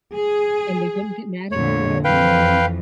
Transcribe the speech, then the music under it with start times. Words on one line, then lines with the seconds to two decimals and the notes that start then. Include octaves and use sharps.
And they wouldn't get mad at you at all.
0.16 G#4
1.52 F2 A#2 D3 C#5
2.04 F2 E3 B4 F5 G5